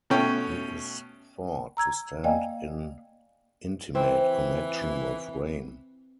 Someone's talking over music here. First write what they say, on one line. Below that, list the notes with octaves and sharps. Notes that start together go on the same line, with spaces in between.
He is thought to stand in intimate connection with rain.
B2 A3 C#4 G5
A#5 E6 G#6
A#3 D5 D#5 F5 G5 G#5
E3 C4